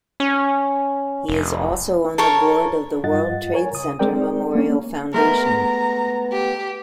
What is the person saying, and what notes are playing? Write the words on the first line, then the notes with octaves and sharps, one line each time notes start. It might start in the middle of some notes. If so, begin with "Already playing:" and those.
He is also on the board of the World Trade Center Memorial Foundation.
C#4
F1
A4 A#4 C#5 A5
G2 F4 D#5 F#5 A6
A#4 C#5 G#5
C#2 D#6
G#3 C4 A#4 D5 G5
A#3 C#4
G#3 A3 B3 A#4
A#5
G4